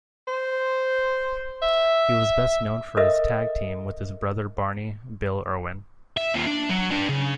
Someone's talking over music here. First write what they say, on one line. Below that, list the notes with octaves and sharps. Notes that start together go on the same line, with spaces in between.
He was best known for his tag team with his brother Barney "Bill" Irwin.
C5
E5
A4 A#4 D#5 E5 D#6 E6
E5
D#2 F4
D4
F#3
G3 D4
C#3